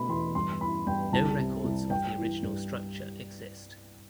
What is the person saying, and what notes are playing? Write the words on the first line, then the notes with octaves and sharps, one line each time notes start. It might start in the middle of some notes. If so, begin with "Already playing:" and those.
No records of the original structure exist.
Already playing: B2 A3 B5
E2 C6
G2 C6
E3 B5
G2 G5
C2 A5
C3
C2
G2 G5
E3
G2